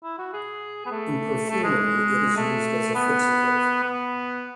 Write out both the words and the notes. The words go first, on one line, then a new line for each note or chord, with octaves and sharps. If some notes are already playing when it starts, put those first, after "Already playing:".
In perfumery it is used as a fixative.
E4
F#4
G#4
B3
A3
A3
G#3
A3
B3
B3